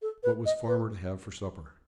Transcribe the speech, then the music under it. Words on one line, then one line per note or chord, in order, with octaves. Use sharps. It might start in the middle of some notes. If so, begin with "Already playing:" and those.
What was farmer to have for supper?'
A4
B4
D#5
B4